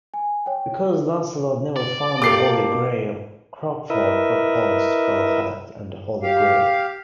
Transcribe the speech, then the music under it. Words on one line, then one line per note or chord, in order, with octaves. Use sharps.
Because Launcelot never found the Holy Grail, Crockford proposed "Galahad and the Holy Grail".
G#5
C#5 G5
D5
A#3 G4 A4 D6 C7
E4 A#4 B4 D#5 E5
G4 F5